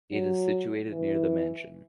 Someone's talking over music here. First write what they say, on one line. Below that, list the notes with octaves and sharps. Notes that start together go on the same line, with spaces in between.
It is situated near The Mansion.
F#3
E3